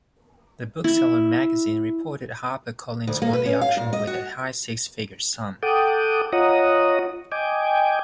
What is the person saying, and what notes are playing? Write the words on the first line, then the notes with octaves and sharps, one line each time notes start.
"The Bookseller" magazine reported HarperCollins won the auction with a high six-figure sum.
E4
D2
A#3
B4
C#4
F5
A#2
D#5
F#4
A4 F#5 G5 D6 D#6
F4 C#5 D#5 F#5 A#5 D#6
D#5 G5 G#5 D6